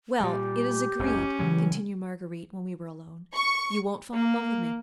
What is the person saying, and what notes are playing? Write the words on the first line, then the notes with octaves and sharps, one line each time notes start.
"Well, it is agreed," continued Marguerite, when we were alone, "you won't fall in love with me?"
A#2 G3 G4
F#1 C#2 F#2 C#4
C#3 E3 F#3 G#3
C#6
A#3